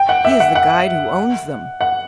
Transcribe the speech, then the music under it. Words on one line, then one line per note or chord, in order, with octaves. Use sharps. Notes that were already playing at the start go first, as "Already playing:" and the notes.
'He is the guide who owns them.'
Already playing: G5
F#5
E5
F#5
F#5
F#5